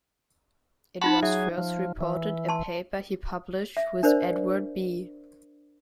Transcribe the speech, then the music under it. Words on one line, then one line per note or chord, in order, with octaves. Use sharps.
It was first reported a paper he published, with Edward B.
D#4 F4 F#5 A5 B5 C6
F#3 G#4 E5
F3
E3
A5 C6
E5
D4 A#4 C5 D5